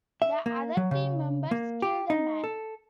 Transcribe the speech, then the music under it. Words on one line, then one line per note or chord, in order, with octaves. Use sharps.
The other team members kill the man.
E5
A#3
F#3
C#3
A#3
G4
D#4
A4